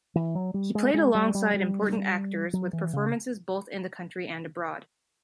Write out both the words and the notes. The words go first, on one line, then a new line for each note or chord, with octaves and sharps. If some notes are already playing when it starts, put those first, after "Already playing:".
He played alongside important actors, with performances both in the country and abroad.
E3
F#3
G3
G#3
G#3
G3
G3
G3
F#3
E3
C#3